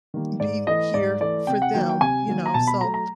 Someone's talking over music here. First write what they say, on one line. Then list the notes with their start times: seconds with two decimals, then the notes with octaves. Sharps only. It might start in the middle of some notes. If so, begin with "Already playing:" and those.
be here for them, you know, so.
0.14 D#3 G3 A#3
0.40 G#2 D5
0.67 E3 A3 D#5
0.94 G#2 D5
1.20 E3 A3 D5
1.47 C3 G5
1.62 F#5
1.74 D#3 F#3 A#3 G5
1.89 G5
2.00 C3 G#5
2.27 D#3 F#3 A#3
2.46 A#5
2.54 B2 A5
2.67 B5
2.81 F#3 A3 A#5
2.94 A#5